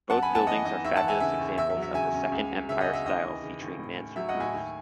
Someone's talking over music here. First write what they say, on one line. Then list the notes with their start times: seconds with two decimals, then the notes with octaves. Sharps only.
Both buildings are fabulous examples of the Second Empire style featuring mansard roofs.
0.10 F#2 F#5 A5
0.23 G#5 B5
0.29 B3
0.35 F#5 A5
0.47 E3 D#5 F#5
0.65 D#4 D#5
0.84 D#2 E5
0.96 F#5 A5
1.03 E3
1.08 E5 G#5
1.20 C#3 E5
1.39 D#2
1.57 E2 E5
1.70 E5
1.77 F#3
1.83 E5
1.94 C#3 E5 G#5
2.14 C#4
2.32 C#2
2.50 F#3
2.69 C#3 E5
2.80 D#5 F#5
2.87 C#4
2.94 E5
3.06 D#2 D#5
3.24 E3
3.43 C#3
3.61 D#2
3.79 A2
3.98 C#4
4.16 F#3 E5
4.29 D#5 F#5
4.35 A2
4.40 E5 G#5
4.53 D#2